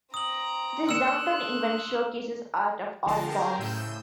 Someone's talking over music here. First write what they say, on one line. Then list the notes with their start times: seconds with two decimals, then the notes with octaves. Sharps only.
This downtown event showcases art of all forms.
0.14 C4 A#5 D#6 F#7
0.89 A#3 D4 C6 E6 F#6 C#7 E7
3.06 G1 D3 F3 F5 A5 A#6
3.27 G4 G#4 A#4 C5
3.59 A2 C#3 E6 G6 D#7